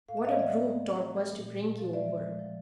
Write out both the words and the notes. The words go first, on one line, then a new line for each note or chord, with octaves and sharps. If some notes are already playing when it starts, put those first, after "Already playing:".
What a brute Torp was to bring you over.'
A2 F5
E5
C4 D#5 F5
E3 D5 E5
C4
A3
C4
E3
E3
A#2
A#2
A#2
F3
G#3 D5 E5
F3
G#3
F3